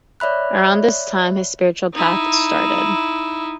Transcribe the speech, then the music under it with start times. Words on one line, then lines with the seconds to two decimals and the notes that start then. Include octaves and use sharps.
Around this time, his spiritual path started.
0.20 C#5 D5 E5 B5 F#6
1.94 D#4 E4